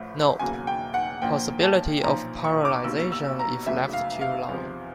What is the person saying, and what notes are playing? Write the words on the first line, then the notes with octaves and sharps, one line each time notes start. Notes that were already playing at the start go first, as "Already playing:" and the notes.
Note: Possibility of paralyzation if left too long.
Already playing: A1 A2 F3 A3
E1 E2 C#3 F#3 A#3 G#5
G5
F#5
A#1 A#2 F3 A#3 G5
A5
B1 A#2 F3 A#5
C#6
D6
B1 B2 G3 A#3 E6
E6
A#5
F1 E2 C#3 F#3 A3 E5
F5
F5
E2 C3 F3